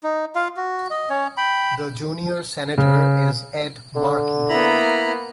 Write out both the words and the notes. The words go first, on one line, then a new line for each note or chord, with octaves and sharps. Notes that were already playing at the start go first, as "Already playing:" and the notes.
The junior senator is Ed Markey.
D#4
F4 F5
F#4
D#5
C#4 C#5
G5 B5
C#3
D3
A#3 B3 E4 A#5 B5